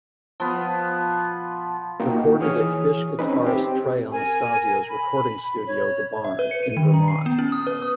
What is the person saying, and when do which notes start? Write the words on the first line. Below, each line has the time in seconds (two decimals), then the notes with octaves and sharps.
Recorded at Phish guitarist Trey Anastasio's recording studio The Barn, in Vermont.
0.40 F3 B3
2.00 A#3 D#4 F4 F#4 G5
2.39 E3 G#4 C#5 D#6 F6
3.19 C4 C#4 D#4 B4
3.44 C4 G4
4.11 A#4 G#5
4.89 B5
5.65 C#5
6.24 E5
6.39 B4
6.51 C#7
6.63 D#7
6.77 D#3
6.94 A#5
7.08 C7
7.26 B3
7.39 C#4
7.52 D#6
7.67 B4
7.82 D#6